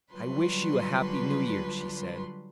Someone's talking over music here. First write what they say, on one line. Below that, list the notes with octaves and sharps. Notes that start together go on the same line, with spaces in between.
"I wish you a happy New Year," she said.
D3 F#3 G3 F4 B4 C6